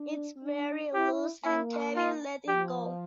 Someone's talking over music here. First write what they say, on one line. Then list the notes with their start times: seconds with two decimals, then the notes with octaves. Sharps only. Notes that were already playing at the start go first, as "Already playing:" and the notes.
It's very loose, and Kevin let it go...
Already playing: D4
0.43 D4
0.94 E4 G4
1.45 A#3 E4
1.96 F4
2.48 F3 G4